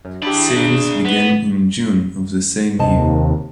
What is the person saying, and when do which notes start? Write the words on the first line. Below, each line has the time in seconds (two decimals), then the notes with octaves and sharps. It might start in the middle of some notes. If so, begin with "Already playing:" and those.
Sales began in June of the same year.
0.05 F#2
0.22 D4 E4 G4 G#4 B5
0.56 D4
1.05 B3
2.79 D#2 C3 D#5 A5